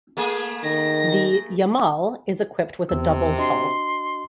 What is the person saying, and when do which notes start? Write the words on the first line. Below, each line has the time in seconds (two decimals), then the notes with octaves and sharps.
The "Yamal" is equipped with a double hull.
0.17 A3 A#3 G#4
0.64 D#3 A#6
2.89 E2 C3 E3 E6
3.38 D4 F#4 D#5 C6